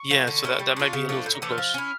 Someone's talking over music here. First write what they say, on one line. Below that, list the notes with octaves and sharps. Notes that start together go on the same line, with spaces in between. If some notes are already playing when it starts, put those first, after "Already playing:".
Yeah. So, that that might be a little too close.
Already playing: C#6
F3 A3
D3
A3 C#4 E4
G3 C#6
D4 F4
C#3
F3 A3 D4
A2 G6
A#5
E3 A3 C#4 D6
F6
F3
C#4 E4